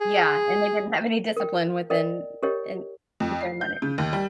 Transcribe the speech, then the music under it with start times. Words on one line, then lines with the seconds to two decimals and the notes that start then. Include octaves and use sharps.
Yeah, and they didn't have any discipline within In with their money.
0.01 G#4
1.37 A#4 G5
1.90 A#4 D5 D#5 G5
2.43 G4 A#4 C#5 D#5 G5
3.20 F2
3.41 C7
3.61 G6
3.82 C#3
3.98 D#2
4.13 G3